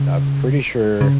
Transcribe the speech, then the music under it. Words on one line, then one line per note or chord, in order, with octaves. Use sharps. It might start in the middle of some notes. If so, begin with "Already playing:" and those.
I'm pretty sure
Already playing: C#3
C#3